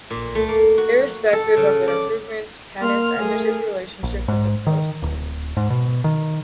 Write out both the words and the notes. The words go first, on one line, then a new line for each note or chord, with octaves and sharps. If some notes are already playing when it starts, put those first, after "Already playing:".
Irrespective of the improvements, Panis ended his relationship with the Prost team.
A#2
A3
A#3
F#4
A4
C#3
D5
A#3 C6 F6
A3 G#4 A#4
A#1
G#2
D#3
D1
G#2
B2
D#3